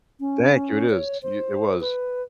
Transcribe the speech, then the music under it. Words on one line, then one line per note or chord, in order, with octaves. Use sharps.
Thank you, it is. Y it was.
C#4
C#5
C5
B4